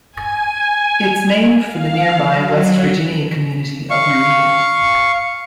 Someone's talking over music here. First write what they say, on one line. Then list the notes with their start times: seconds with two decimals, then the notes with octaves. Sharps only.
It's named for the nearby West Virginia community of Eureka.
0.11 G#5
1.67 F5
2.31 F#3
3.90 F5 C#6